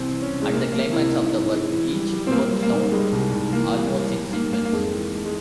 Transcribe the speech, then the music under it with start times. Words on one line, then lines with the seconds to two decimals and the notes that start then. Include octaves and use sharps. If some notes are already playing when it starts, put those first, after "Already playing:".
At the climax of the work, each tone sounds almost in sequence.
Already playing: C2 E3 C4
0.12 E3
0.22 C#4
0.32 C2
0.42 G#3
0.52 C3 A#3
0.72 F3 A#3
0.93 C3 E4
1.12 G#2
1.33 G#2
1.52 G#3
1.72 E3
1.93 G3
2.13 G3
2.27 C4
2.32 G3 A#3
2.52 G3
2.63 A#3
2.73 G#2
2.92 G3 G#3
3.12 C2
3.33 C2
3.52 E3 A#3
3.73 G3
3.92 G3
4.13 G3
4.32 G#2 A#3
4.52 G#2 A#3
4.65 A#3
4.73 F2 G#3
4.93 E3
5.13 G#3
5.26 G#3